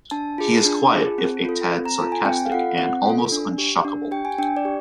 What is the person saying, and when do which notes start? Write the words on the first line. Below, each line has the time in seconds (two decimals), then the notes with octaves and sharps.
He is quiet, if a tad sarcastic, and almost unshockable.
0.11 D4 A5
0.38 F4 G#4
0.65 D4
0.92 F4 G#4
1.18 C4
1.45 F4 A4
1.71 C4
1.86 A#5
1.98 F4 A4 A5
2.12 G#5
2.25 C4 G5
2.45 F5
2.52 F4 A4 F#5
2.78 C4 F#5
3.05 F4 A4
3.32 D4
3.58 G4
3.84 D4
4.11 G4 G5
4.25 G#5
4.38 D4 G5
4.57 D5
4.65 G4